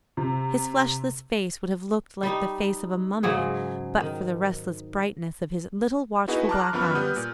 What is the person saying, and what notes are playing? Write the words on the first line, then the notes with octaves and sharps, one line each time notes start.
His fleshless face would have looked like the face of a mummy, but for the restless brightness of his little watchful black eyes.
C3
G3 D#4
G#2 C#3 F#3 G#4
D#3
B3 D#4 E4 F#4 G#4 B4
A5 A#5 C6 D6 F6 F#6
F#2 F3 B3 B5 F6
G3 B3 D#6 G6
A#2